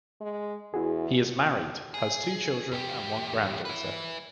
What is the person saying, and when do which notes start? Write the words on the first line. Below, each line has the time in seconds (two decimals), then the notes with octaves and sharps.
He is married, has two children and one grand daughter.
0.21 G#3
0.74 E2 E4 F#4 G#4
1.94 G#4
2.72 E2 G4
3.65 B4 E5